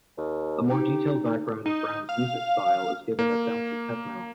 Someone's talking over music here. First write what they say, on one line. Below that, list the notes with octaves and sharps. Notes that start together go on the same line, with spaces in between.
A more detailed background of Brown's music style is given at bouncy techno.
D#2
D#4 G4
D#4
F5
A#3